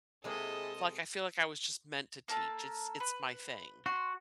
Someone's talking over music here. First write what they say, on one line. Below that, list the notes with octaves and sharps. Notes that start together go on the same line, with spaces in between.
like, I feel like I was just meant to teach it's it's my thing.
C3 G#3 A#3 E4 G#4 A4 D#5
A#3 A4 A5
B4
F#4 C6